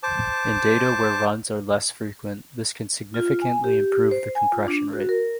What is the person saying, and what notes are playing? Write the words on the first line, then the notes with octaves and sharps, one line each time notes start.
In data where runs are less frequent, this can significantly improve the compression rate.
C5 A5 D6
F4
G#5
G4
C5
G#5
F4
D4
F#4
A#4